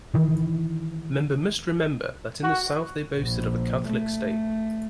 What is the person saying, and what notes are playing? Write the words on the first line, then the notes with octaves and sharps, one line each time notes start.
Member must remember that in the South they boasted of a Catholic State.
D#3 E3
F#4
A#1
A3